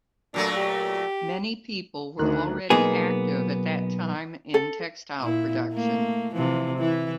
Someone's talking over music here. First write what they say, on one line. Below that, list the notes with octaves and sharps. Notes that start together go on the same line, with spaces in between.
Many people were already active at that time in textile production.
A#2 F#3 A3 D4
G4
D2 D#3 A#4 F#6
B1 A#3 B3 G#4
A4
A#2 E4
A3 A#3
C3 E3 F3
E3 E4